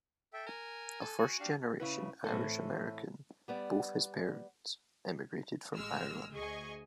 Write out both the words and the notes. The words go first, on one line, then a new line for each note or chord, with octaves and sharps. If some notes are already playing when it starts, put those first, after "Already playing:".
A first-generation Irish-American, both his parents emigrated from Ireland.
A4 E5 G5
A#4 G#5
A4
F#4
D4 G4 F5
C#3 E4 B4
A2 E3 C4 A4
G3 B3 D5
A1 G#3 E6 F6
D2 G#4 D#5 G#5 C#6